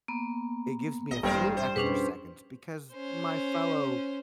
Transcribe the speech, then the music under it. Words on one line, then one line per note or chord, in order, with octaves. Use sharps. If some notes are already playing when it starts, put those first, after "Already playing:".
it gives me a few extra seconds because my fellow
A#3 B3
G#1 D#5
A1 G2 C4 A#4 C5 C7 D#7
C5
F2 B2 C#4 D4 G#4 B4
C#4 C5